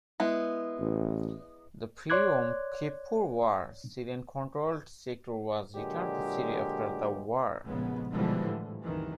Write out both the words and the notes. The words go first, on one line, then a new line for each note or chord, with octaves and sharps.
The pre-Yom Kippur War Syrian-controlled sector was returned to Syria after the war.
G#3 B3 E4
A1
C#5 D5 C6 D6 F#6 G#6
A#2 D3 F#3 G#3 G4
F1 A#1 C#3 G#3 B3
B2 D3 E3 F3 G3 G#3
A2
F#1 C2 D#3 E3